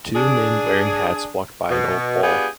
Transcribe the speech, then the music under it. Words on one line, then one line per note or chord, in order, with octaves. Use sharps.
Two men wearing hats walk by an old wall.
D4 G#4
B2
B3 D4 F4 G4 G#4